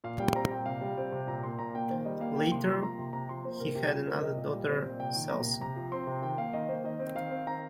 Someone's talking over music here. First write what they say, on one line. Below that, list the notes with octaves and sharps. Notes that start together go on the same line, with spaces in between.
Later he had another daughter, Selcen.
A#2 F5
G3 G5
C4 A#5
A#2 G5
C3 F5
G3
C4
C3
A#2 A#5
A#3 C6
A#2 A#5
A#3 G5
D#3 C5
G3 D#5
A#3 F5
D#3 G5
C3 C6
F3
C6
A#3 A#5
C3
C3 A#5
F3 C6
A#3 C5
C3 A#4
C3 G4
G3 F4
C4 A#4
C3 D#5
A#2
G3
C4
A#2
C3 G5
D#3
A#3 A#5
C3
C3 A#5
F3
C4 C6
C3
D#3 G5
A#3 F5
D#3 D#5
A#3 C5
D#3 D#5
C4
D#3 F5
C4
D#3 A#5